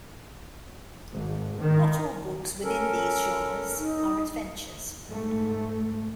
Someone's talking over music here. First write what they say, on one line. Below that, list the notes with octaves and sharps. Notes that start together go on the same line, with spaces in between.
Not all books within these genres are adventures.
G#1
D#3
C#4 A4 A#4
D#4
G#2 A3